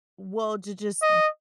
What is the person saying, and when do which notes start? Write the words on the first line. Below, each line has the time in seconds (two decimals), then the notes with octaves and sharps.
Well, to just
1.02 D#5